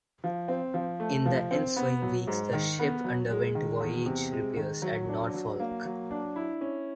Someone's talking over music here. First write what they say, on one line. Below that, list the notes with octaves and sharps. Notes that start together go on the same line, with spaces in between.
In the ensuing weeks, the ship underwent voyage repairs at Norfolk.
F3
C4
F3
A3
F3
C4
B3
F#3
G#2
D#3
B3
F#3
G#3
D#3
E2
C3
G#3
D#3
F#3
D4
F#3
A#3
F#3
D4
E4
C#4